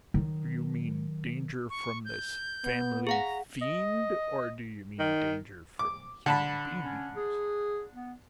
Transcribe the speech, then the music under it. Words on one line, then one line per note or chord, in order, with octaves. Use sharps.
"Do you mean danger from this family fiend or do you mean danger from human beings?"
D#3 F#3
C#6
G6
B3
G#4 F5 F#5 A#5
D#5
D#3
D6
D3 A5 B5
C#4
G#4
B3